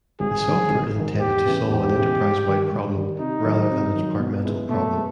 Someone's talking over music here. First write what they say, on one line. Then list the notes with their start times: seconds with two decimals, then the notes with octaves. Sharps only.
The software is intended to solve an enterprise-wide problem, rather than a departmental problem.
0.20 G#1 G#4
0.46 G#2 D#3
0.70 G#1
0.96 G#2 D#3
1.20 E2 G4
1.45 C#3 E3 G#3 B3
1.70 E2 G4
1.95 C#3 E3 G#3 B3
2.20 G#2
2.46 D#3 G3
2.70 G#2
2.95 D#3 G3
3.19 C3 D#4
3.45 D#3 F#3
3.70 C3
3.94 D#3 F#3
4.19 B2
4.44 G#3 B3 E4
4.69 B2 A3
4.95 G#3 B3